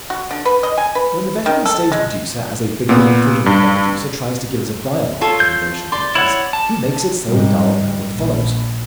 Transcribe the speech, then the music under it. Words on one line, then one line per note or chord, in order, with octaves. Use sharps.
When the veteran stage-producer as a beginning photoplay producer tries to give us a dialogue in the motion pictures, he makes it so dull no one follows.
F#4
D3
B4
D#5
G#5
B4
D#3
A4
G#3
A#2 B3
G2
F4 A4 C#5
G6
D5 C6
E4 C#5 F#5
A5
G#2 G3
A#1